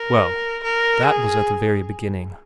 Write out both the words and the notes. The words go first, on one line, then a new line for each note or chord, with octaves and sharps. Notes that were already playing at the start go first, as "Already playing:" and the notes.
Well, that was at the very beginning.
Already playing: A#4
A#4
G#4